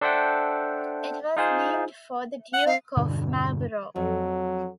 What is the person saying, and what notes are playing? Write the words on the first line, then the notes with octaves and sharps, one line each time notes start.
It was named for the Duke of Marlborough.
D4 A4 C5 E5 F#5 G5
D#4 F4 G#4 C5
F#5
C4 F5
E2 G2 B2 D3
F2 F#3